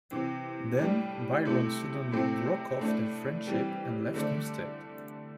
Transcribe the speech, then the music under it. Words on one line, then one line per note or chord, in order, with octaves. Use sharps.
Then Byron suddenly broke off their friendship and left Newstead.
C3 E3 C4
A2 G3 D4
C3 A3 E4
C3 A3 C4 E4
A2 A3 D4
E3 G3 C4
D3 A3 D4